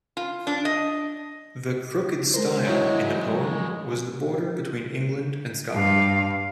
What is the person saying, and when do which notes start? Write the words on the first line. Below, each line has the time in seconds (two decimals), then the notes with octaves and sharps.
The "crooked stile" in the poem was the border between England and Scotland.
0.17 F4
0.47 D4
0.65 D#5
2.34 G#3 A#4 C5
2.67 F#3 G#3 E4 F#4 C#5
5.73 G2 F5